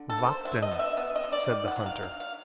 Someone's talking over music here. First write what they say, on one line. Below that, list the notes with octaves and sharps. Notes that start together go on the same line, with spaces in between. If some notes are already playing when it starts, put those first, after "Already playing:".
"Vatten," said the hunter.
Already playing: D3
A4
A#3
C5
F#3 E5
D#5
B2
E5
B3 E5
D#5
B2
D5
D#3
F#5
F#3
F5
F#3 F5
F5